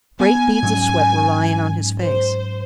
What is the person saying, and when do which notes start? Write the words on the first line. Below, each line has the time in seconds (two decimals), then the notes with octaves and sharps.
Great beads of sweat were lying on his face.
0.20 B3 G#5
0.63 G#2 F#3 C#4
2.00 C5